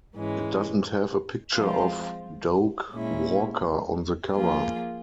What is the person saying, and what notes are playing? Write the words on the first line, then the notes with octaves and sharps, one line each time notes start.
It doesn't have a picture of Doak Walker on the cover.
G#2 E3 G#3 C#4
F3 G#3 C4 F4
A#2 G#3 C#4 E4
F3 A#3 F4 G#4